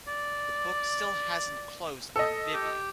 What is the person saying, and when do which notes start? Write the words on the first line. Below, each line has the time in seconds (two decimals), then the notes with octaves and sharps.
The book still hasn't closed on Vivian.
0.07 D5
2.16 A4 D#5
2.54 G4